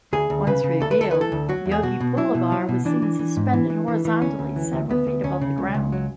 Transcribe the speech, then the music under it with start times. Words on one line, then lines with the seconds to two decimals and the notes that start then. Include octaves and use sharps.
Once revealed, Yogi Pullavar was seen suspended horizontally several feet above the ground.
0.13 D2 G#4
0.30 D2
0.47 C#3 B4
0.64 C#3
0.81 D2 A4
0.91 B4
0.98 D2 A4
1.11 E3 B4
1.21 A4
1.32 D2
1.49 F#3 F#4
1.66 E2
1.71 G#4
1.82 B2 F#4
2.00 B2
2.17 F#3 E4
2.35 B2
2.52 F#3
2.69 B2
2.85 E3 D4
3.02 E3
3.19 E3
3.37 G#2
3.53 E3
3.70 E3
3.88 E3
4.05 E3
4.21 D2 C#4
4.39 D2
4.56 E3
4.73 D2
4.90 D2 B3
5.07 D2
5.24 D2 C#4
5.41 C#3
5.58 C#2
5.74 C#2
5.92 F#3